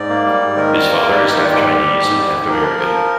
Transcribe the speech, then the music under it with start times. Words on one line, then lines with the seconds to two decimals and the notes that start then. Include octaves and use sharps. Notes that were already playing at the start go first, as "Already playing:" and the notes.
His father is half Chinese and half African.
Already playing: G#2 D5
0.09 A#3
0.25 G3
0.40 G#2
0.56 D#3 A#4
0.73 G3
0.89 A#3
1.04 G3
1.17 D#3 G4
1.29 D#4
1.37 G3 F4
1.53 G#2 G4
1.69 G3
1.84 G3
2.00 G#2
2.17 G3
2.33 G#2
2.48 F3 A#4
2.64 F3
2.81 F3